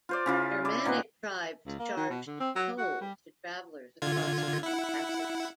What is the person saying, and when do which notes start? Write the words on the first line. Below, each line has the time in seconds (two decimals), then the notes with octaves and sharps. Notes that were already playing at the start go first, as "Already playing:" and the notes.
Germanic tribes charged tolls to travellers across mountain passes.
0.09 F4 C5 D5
0.26 C#3 E4 F4
0.65 E4 D5
0.85 A#2 D#3 B3 B4
1.66 C#2
1.79 A#3
1.97 D#3
2.10 B2
2.27 D3
2.40 C4
2.56 F#3
2.78 F#4
3.01 G3
4.02 D3 F4 G#6
4.63 E4 F#5